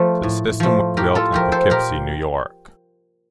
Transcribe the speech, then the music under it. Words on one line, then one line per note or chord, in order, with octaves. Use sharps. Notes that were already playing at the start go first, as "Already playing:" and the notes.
The system was built in Poughkeepsie, New York.
Already playing: F3 A3 A#4
A2
F3 A3
A2 G4 A#4
F4 A4
F3 A3 G4 A#4
A4 C5
A#2 G4 A#4